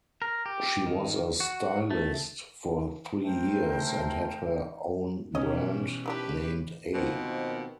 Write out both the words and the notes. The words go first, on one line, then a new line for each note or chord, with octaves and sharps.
She was a stylist for three years and had her own brand, named A.
A#4
G4
D#3
F#4
A3
A3 A#4 C5 G5
B2 E3 G3 C#4 D#5
D#3 E3 D4 G4 B4
B2 D#3 F3 A#3 C4